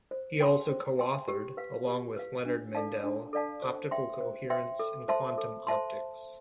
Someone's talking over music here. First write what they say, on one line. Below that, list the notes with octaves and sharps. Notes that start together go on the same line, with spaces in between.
He also co-authored, along with Leonard Mandel, "Optical Coherence and Quantum Optics".
C5
G5 C6
C5
G5 C6
G4
B4 F5
G4
B4 F5
D4
A4 D5 F5 A5
D4
A4 D5 F5 A5
C5
E5 G5 C6
C5
E5 G5 C6
A4
C5 E5 A5 C6
A4
C5 E5 A5 C6